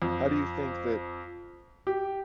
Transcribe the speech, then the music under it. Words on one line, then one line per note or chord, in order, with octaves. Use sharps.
How do you think that
F2
G4